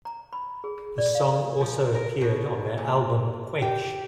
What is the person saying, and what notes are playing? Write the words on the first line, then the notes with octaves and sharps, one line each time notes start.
The song also appeared on their album "Quench".
A#5
B5
G#4
D5
F5
F3
A#4
B2
A#2
G4